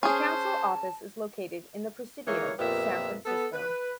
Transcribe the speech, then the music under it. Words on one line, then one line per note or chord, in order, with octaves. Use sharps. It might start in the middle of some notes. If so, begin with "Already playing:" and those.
The Council office is located in The Presidio, San Francisco.
C#4 G#4 C5 A5
E3 G#3 A#3 D#4 C#5
F2 A#2 B3 G4 A#4 E5
B3 A4
B4